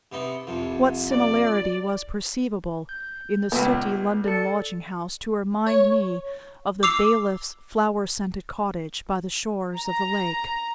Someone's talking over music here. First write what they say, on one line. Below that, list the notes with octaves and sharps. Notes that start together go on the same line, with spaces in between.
What similarity was perceivable in the sooty London lodging-house to remind me of the bailiff's flower-scented cottage by the shores of the lake?
C3 B3 D#4
C2 F2 C3
D5
G6
C#2 A#2 B3
A4 D5 C#7
C#5
D6 E6 C7 F7
A#5